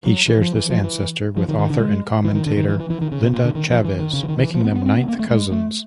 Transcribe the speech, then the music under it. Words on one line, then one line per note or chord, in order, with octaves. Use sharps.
He shares this ancestor with author and commentator Linda Chavez, making them ninth cousins.
F#3
E3
F3
E3
F3
E3
F3
D#3
D#3
D3
G#3
E3
D#3
D3
D#3
E3
E3
E3
D#3
C#3
C3
A#2
D3
D#3
F3
E3
D#3
C#3
E3
D#3
D#3
E3
F3
B3
B3
C4
B3
A#3
A3
G#3
A3